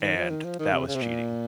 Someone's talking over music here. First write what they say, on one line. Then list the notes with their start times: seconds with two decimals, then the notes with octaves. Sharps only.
and that was cheating.
0.02 D#3
0.16 F3
0.30 D#3
0.45 F3
0.59 D#3
0.73 C3
0.87 C#3
0.95 C3
1.02 A#2